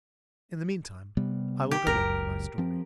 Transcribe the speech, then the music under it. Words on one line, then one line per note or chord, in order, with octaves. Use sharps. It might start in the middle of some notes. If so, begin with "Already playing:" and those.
In the meantime, I will go on with my story.
C3 G3 B3
G4
F#1 C#2 F#2 A#4
F3 C4